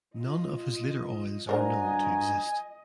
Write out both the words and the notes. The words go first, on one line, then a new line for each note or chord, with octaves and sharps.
None of his later oils are known to exist.
F4 D#5
G2 D4 F#4 A#4 C5 D#5 G#5 A#5